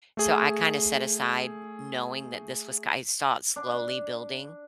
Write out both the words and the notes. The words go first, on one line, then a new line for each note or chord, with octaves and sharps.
So, I kinda set aside knowing that this was c I saw it slowly building
A3 G#4
D4